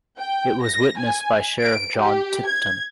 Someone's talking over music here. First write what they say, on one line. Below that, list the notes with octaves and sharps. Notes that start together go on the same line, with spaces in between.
It was witnessed by Sheriff John Tipton.
G5
A#6
G#5
D7
G4
G#6